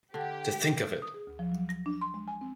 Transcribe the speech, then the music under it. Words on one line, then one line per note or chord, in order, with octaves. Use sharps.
To think of it!
D3 G4
D#6
G#4
D2
F3
F#3
A#6
D4
C6
G#3
G#5
C4